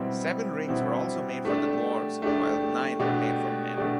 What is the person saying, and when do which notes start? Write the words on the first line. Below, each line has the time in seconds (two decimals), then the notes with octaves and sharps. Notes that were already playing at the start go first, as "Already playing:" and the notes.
Seven Rings were also made for the Dwarves, while Nine were made for Men.
Already playing: B2 G3 C4 E4
0.68 B2 G3 C4 E4
1.45 A3 D4 G4 D5
2.22 A3 D4 G4 D5
2.99 B2 A3 D4 G4 D5
3.77 B2 A3 D4 G4 D5